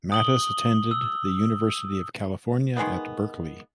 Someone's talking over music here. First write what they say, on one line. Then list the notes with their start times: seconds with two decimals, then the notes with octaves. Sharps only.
Mattis attended the University of California at Berkeley.
0.12 D#6 F#7 G7
0.91 E6
2.77 D#3 G#3 A#3 B3